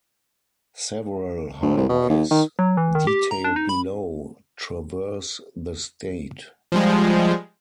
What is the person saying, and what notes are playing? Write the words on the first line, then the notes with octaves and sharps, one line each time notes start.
Several highways, detailed below, traverse the state.
D2
C2
B2
D#2
D#3
F#3
E3
D#3
G4
A#5
D4
D#4
B5
F3 G3 G#3